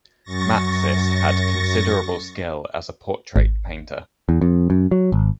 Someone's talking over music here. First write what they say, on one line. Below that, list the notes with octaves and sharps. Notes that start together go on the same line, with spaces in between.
Matsys had considerable skill as a portrait painter.
F#2 C#6 A6 A#6
G#1
E2
F2
F#2
F#3
G#1